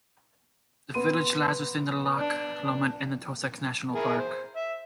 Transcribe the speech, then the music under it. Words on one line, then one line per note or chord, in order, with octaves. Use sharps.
The village lies within the Loch Lomond and The Trossachs National Park.
B3 C6 D#7
D4
E4 G#4 A#4
C5
E5